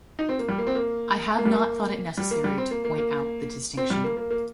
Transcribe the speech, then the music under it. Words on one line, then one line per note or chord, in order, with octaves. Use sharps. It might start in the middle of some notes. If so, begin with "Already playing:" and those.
I have not thought it necessary to point out the distinction.
D#4
C4
A#3
G3
A#3
C4
A#3
A#3
G3
A#3
G3
A#3
G3
C4
A#3
A#3
A#3
C4
G3
A#3
A#3
A#3